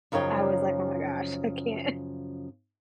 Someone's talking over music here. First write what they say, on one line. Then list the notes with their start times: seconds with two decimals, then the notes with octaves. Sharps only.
I was like, oh my gosh, I can't
0.12 F#2 C#3 F3 D#4 C#5 G5